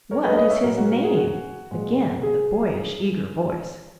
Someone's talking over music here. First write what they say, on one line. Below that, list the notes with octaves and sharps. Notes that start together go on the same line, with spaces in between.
"What is his name?" Again the boyish, eager voice.
A#4 C#5
B4 D#5
B4 D#5
C#5 E5
A#2 F#3 F#4 A#4
F#4
F#4 A#4
G#4
F#4
A#2 G#3
G#4